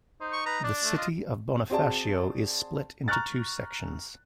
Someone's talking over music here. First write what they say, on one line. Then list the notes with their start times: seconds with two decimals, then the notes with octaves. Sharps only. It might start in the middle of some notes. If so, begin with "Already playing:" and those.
The city of Bonifacio is split into two sections.
0.21 D#4 C5
0.33 C#6
0.46 B4 A#5
0.64 D4 D5
0.84 A3
0.97 F4 D#5
1.70 C4 F#4 G#4 D5 A5
3.08 A#5 C#6 F6 F#6 A6